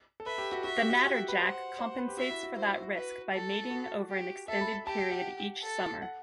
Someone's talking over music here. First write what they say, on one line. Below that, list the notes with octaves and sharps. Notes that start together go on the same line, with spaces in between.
The natterjack compensates for that risk by mating over an extended period each summer.
A4
B4 E5
G4
F#4
F#4 E5
G4
F#4
G4
B4
C5 F#5
C5
B4
G4
F#4 E5
E4
F#4
E4 C5
F#4
F#4
B4
A4
F#4
G4
A4 E5
B5
B5
G4 A5
G5
F#5
A4
F#5